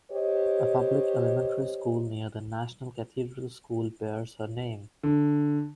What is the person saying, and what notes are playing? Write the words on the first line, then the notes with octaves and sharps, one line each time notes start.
A public elementary school near the National Cathedral School bears her name.
G4 C5 C#5 D#5
D3